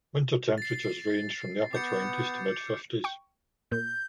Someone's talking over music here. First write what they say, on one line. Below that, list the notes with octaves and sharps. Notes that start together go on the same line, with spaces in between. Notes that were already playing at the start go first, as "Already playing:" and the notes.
Winter temperatures range from the upper twenties to mid fifties.
A6 C7
B3 D6 G6 C#7
G5 C#6
A#2 G6